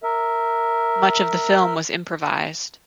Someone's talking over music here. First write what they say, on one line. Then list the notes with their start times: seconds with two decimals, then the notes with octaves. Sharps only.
Much of the film was improvised.
0.03 A#4 E5